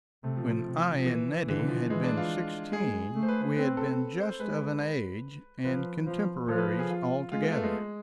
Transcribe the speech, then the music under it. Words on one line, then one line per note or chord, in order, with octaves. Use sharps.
When I and Nettie had been sixteen we had been just of an age and contemporaries altogether.
C3 A3
F3
F3
C3
F3
E3
D3 E3
F3
E3 G#3
D4
F4
G#3 G#4
A3
C5
B4
B4
C4 B4
A4
C5
G#3 B4
F3 B4
F3
F3 A4
B4
G#4
F4
G#3 F4
B3
A3
G#3